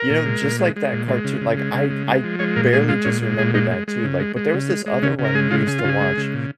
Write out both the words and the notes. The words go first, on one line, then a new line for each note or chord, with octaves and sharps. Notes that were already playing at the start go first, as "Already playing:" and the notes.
you know, just like that cartoon like I I barely just remember that too, like but there was this other one we used to watch,
Already playing: A#4
A#2
G#3
A#2
G#3
G#3
A#2
G#3
C#3
C#3
G#3
C#3
G#3
G#3
F3
G#3 C#5
A#2 A#4
G#3 G#4
G#3 F4
A#2 C#4
G#3
A#2 G#4
G#3 D#4
G#3
G#3
C#3
G#3
G#3
C#3
G#3
G#3
C#3 C#4
C#3
A#4
G#3 G#4
C#3 F4
C#3 G#4
F4
C#3 G#4
G#3
C#3
A#2